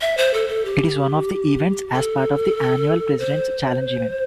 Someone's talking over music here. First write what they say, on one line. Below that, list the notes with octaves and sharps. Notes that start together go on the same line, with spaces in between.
It is one of the events as part of the annual President's Challenge event.
E5
C5
A4
A4
G4
A4
C5